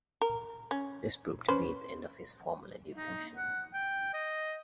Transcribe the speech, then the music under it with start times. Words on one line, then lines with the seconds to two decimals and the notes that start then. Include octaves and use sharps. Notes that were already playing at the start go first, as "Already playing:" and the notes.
This proved to be the end of his formal education.
0.21 A#4
0.71 C#4
1.48 C#4 B4 C5
2.96 D#4
3.36 F#5
3.74 G5
4.14 D#5